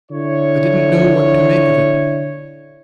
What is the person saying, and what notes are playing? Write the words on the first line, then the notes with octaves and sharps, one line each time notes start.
I didn't know what to make of it.
D3 E4 C#5